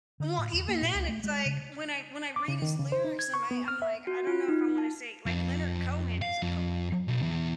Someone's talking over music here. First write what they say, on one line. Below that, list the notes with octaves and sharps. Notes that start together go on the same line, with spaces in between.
Well, even then it's, like, when I when I read his lyrics and I I'm, like, I don't know if I wanna say, like, Leonard Cohen is a poet.
D3
A2
E2
A#3
A#2
C#2
A3
G#3
C#3
D6
C#3
D#3
C#3
C5
D#4
G#6
C#6
B3
F6
E5
F#4
F4
D#4
A5
F2
F5
F2
B1
E2